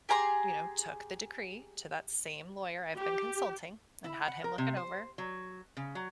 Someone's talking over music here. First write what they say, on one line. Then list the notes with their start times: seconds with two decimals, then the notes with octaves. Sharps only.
you know, took the decree to that same lawyer I've been consulting, and had him look it over,
0.09 G4 G#4 A#5 C6
2.99 G4
4.04 E4
4.28 F#5
4.44 A#4
4.58 C3
4.77 C5
5.18 F#3
5.77 C#3
5.95 F#3